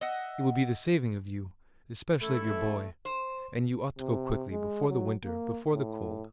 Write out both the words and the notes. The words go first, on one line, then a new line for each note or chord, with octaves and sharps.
It would be the saving of you, especially of your boy--and you ought to go quickly, before the winter, before the cold.
D#5 E5 F#5
A1 A3 E4 A4
C5
C3
G#3
F#3
A#3
A2